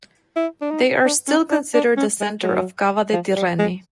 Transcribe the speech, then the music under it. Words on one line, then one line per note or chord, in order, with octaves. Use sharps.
They are still considered the centre of Cava de' Tirreni.
E4
D4
D#4
D4
C#4
D4
D4
C#4
G#3
F#3
F3
G3
G#3